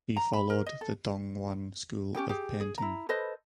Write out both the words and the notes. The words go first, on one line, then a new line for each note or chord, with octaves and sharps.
He followed the Dong Yuan school of painting.
A#5
B5
A#4
D#5
A4
C#4 G4 G#4 G5
G4 G#4
G#4
E4 A#5
A4 B4 C5 D#5